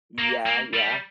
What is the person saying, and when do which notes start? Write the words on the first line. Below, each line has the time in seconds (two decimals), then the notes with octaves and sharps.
Yeah, yeah.
0.18 A#3
0.46 A#3
0.73 G3